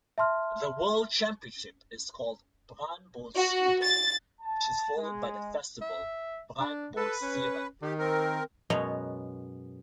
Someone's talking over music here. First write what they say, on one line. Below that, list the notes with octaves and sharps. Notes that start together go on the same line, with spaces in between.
The world championship is called Brännbollscupen, which is followed by the festival Brännbollsyran.
E5 A5 C6 F6
F#4
A6
A5
G#3
E5
D4
A4 B4
C#4
D#3 G4
C4 A#4
F#2 B2 G#3 B3 C#5 A#5